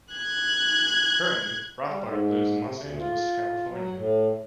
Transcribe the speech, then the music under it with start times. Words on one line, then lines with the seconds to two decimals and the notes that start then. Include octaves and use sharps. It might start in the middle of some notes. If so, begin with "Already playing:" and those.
Currently, Rothbart lives in Los Angeles, California.
0.14 F#6 G#6
1.88 G3
2.05 G#2
2.63 C3
2.80 D2
2.99 F4
3.70 F#3
3.95 A2